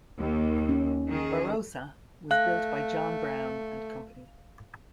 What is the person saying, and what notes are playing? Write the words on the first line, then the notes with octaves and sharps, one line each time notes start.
"Barrosa" was built by John Brown and Company.
D#2
C#4
D#3 G#4
A3 F5 F#6